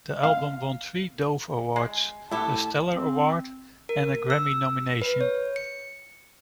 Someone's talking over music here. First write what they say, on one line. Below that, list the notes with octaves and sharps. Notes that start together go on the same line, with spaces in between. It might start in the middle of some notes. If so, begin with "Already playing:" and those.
The album won three Dove Awards, a Stellar award and a Grammy nomination.
F5
G#3
A2 E4 G4 E5 F#5 A5
C4
A#4
E6
B4
C#5
C#7